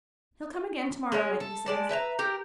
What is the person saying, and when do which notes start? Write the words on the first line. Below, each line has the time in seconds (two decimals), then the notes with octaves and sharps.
'He'll come again to-morrow night, he says.
1.12 G#3 C#4 C#5
1.40 A4
1.66 G#3 D5 A5
1.89 B4 E5 G5 A#5
2.19 G4 A#4